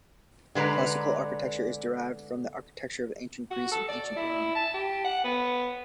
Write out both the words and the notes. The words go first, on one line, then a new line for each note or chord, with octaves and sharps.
Classical architecture is derived from the architecture of ancient Greece and ancient Rome.
D3 G#3 B4 D5 A#5
F#4
A4
D5
E4
A5
G4
F#5
B3